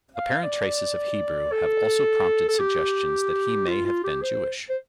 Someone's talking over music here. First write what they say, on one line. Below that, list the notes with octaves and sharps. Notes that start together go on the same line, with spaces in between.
Apparent traces of Hebrew have also prompted suggestions that he may have been Jewish.
F5
D5
A4
A4
G4
F4
F4
G4
C5
C5